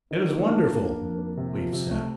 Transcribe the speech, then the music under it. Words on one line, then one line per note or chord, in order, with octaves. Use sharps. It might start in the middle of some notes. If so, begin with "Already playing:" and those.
"It is wonderful," Leif said.
D#3
A#3
D4
A#3
D4
F2
A#3
C3
F3
C3
A3